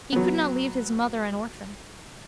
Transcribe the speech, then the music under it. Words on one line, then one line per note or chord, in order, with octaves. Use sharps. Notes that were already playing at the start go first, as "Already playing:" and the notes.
He could not leave his mother an orphan.
F#3 B3